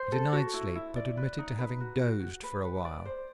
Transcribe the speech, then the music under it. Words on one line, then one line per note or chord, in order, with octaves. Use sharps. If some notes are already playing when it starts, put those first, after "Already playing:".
He denied sleep, but admitted to having "dozed" for a while.
Already playing: C5
A4
F#4
E4
E4
D5
B4
D#4
B4
F#4
F#4
F#4
B4
B4
D5
C5